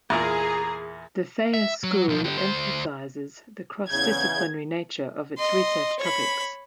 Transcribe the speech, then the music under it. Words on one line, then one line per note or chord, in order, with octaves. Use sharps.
The Thayer School emphasizes the cross-disciplinary nature of its research topics.
E2 A#2 G#4 A#4 A#5
E5
F#3
B1 F3
D3 G4
D2 C5
E2 C#3 G6 G#6
D#5 C6
C#5 B5